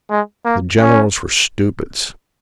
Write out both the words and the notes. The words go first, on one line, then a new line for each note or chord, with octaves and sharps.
The generals were stupids.
G#3
A#3
C#4